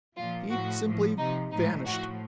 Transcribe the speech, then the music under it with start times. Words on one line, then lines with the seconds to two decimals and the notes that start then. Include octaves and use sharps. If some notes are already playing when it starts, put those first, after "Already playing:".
He simply--vanished.
0.16 A#2 F3 F4
0.50 A2 F3 F#4
0.84 A2 F3
1.18 C3 F3 D#4
1.52 A2 F3 D#4
1.86 A2 F3 F#4